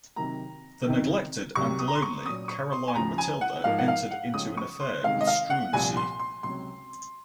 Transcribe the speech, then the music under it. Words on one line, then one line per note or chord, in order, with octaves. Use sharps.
The neglected and lonely Caroline Matilda entered into an affair with Struensee.
C3 D#3 F#3 A#3 A#5
F2 C3 D#3
C2 C3 F#3 C#6
D#6
A#5
C6
C#6
A#2 F#3 C#4 D#6
C#6
C6
G#5
D#2 C#3 F3 A#5
G#5
F#5
G#2 F3 A#3 F5
F#5
F5
F#5
C#2 C#3 F3 G#3 C#4 D#6
C#6
C6
C3 D#3 G#3 F5
D#5
F5
F#5
C2 A#2 F3 G#5
C6
C6
C#2 C3 F#3 C#4 C6